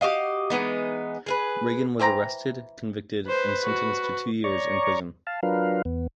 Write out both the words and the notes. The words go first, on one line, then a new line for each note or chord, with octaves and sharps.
Regan was arrested, convicted, and sentenced to two years in prison.
F#4 G4 D#5 F5
E3 G#3 B3 D#4
G#4 A#4 B4
E3 C5 G5 A#5
B4 C5
F#4
C#5 D5 A#5 C#6
F5 A5
F#3 D4 F4 A#4 B4 F5
E2 B3